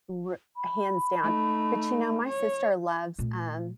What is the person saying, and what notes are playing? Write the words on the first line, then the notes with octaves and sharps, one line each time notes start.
r hands down but, you know, my sister loves, um,
B5
A3 D#4
C#5
A#2 A3